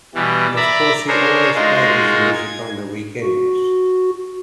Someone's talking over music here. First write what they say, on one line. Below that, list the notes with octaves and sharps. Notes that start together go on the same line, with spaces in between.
Of course, he always played his music on the weekends.
B2 E3 G3
D5 E5 A#5 B5
D4 G#4 A#4 C5 C#5
G#3 D#4 F4 F#4 G#4 A#4
G#6
F#4